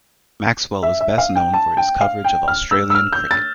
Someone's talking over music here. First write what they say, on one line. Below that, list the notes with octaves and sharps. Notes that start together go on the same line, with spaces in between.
Maxwell is best known for his coverage of Australian cricket.
E5
E5
F5
G5
A5
G5
F5
G5
F6
E6
E6
F6
G6
A6